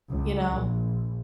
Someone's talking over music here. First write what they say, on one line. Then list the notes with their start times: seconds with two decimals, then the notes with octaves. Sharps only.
you know?
0.11 C#2
0.56 A#1